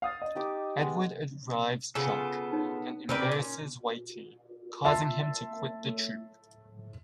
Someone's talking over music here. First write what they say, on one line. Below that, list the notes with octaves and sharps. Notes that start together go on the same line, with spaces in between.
Edward arrives drunk and embarrasses Whitey, causing him to quit the troop.
F5 D#6 A6
D#5
D#4 G4 D6
G#3 B3
C#3 B3 F4 A4 G#5
D#4 C#5
C#3 C4 A#4 B4 D5
A#2 C#4
E5 A5 C6